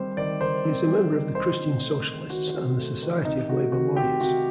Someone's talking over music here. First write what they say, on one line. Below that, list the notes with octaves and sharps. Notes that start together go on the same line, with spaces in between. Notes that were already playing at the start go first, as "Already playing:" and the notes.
He is a member of the Christian Socialists and the Society of Labour Lawyers.
Already playing: D#3 G3 C4 C5
D#3 D5
D#3 C5
C4
G3
D#3
D#3 C5
C4
A3
D#3
D#3 F#4
C4
A3
D#3
C3 D#4
A3 F#4
D#3 F#4
C4 G4
C3 F#4